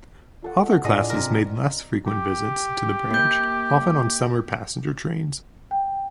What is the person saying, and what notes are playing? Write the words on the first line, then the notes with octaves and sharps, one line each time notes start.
Other classes made less frequent visits to the branch, often on summer passenger trains.
F4 A4 F#5
A2 G#3 D4 D#5 C6
C3 A#4
G4
A#3 G6
G5